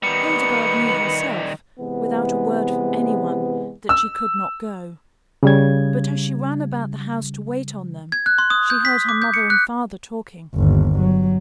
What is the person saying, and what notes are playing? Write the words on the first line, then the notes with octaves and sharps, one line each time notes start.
Hildegarde knew herself, without a word from any one, that she could not go; but as she ran about the house to wait on them, she heard her mother and father talking.
D#3 G3 B3 C#7
C3 E3 G#3 B3
E6
C#3 G3 G#6
G#6
F#6
C6
D#6
G6
B6
D6
G6
C#7
F#6
G1 D#2
F#3